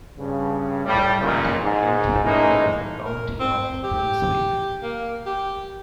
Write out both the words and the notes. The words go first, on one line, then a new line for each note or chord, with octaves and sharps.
Their county came to be known as the County of Brunswick.
G2 C#3
A2 G3
C#2 A#2
G#2
A2 E3 G#3 A#3 C#4 D#4
A#4
C4
G4
A#3
G4